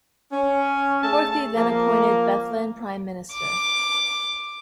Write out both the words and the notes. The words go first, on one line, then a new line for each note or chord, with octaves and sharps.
Horthy then appointed Bethlen prime minister.
C#4
A3 G#4 A4 A5
F3 A#3
D6